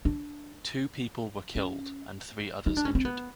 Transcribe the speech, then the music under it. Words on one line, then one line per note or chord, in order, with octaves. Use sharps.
Two people were killed and three others injured.
D4
C#4
D#4
D4
C#4
C4
B3